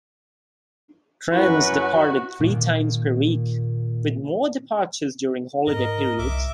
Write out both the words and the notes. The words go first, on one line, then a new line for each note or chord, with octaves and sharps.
Trains departed three times per week, with more departures during holiday periods.
F#2 C#4 E4 F#4 B4
A#2 D#3 A#3
G#2 A#4 D#5
C2 E5 D6